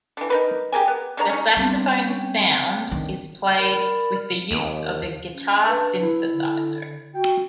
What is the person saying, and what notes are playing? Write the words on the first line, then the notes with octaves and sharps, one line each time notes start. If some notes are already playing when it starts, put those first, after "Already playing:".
The saxophone sound is played with the use of a guitar synthesizer.
D3 E3
D#4 A#4 B4
G4 G#4 A#4 G#5
B3
D3 G#3 C#5 A#5
C#4 D#4
G3 B3 C4 D4
C#4 G5
D#3 D4
A#4 D5 B5
D#2
C#4
D4 B4
E4
D3
F#4 G5